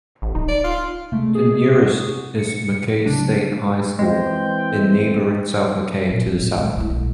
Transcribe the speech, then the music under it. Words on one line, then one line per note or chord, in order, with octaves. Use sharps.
The nearest is Mackay State High School in neighbouring South Mackay to the south.
A1
D1 D#4
D5
F4
C3 G#3 A3
G#4
F#4
C#7
C#3 F#3 D4
E3 G#3 C4 G5
A#2
C#4
A2
D#3 G#3
G2 E4
B1